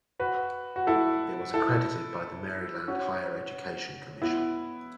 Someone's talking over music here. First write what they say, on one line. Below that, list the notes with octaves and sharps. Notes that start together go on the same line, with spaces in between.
It was accredited by the Maryland Higher Education Commission.
F#4 B4
F#4
E4 A4
E4 A4
C#4 F#4
B3 E4